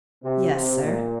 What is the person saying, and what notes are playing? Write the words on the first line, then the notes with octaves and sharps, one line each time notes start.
"Yes, sir."
C3
C3
A#2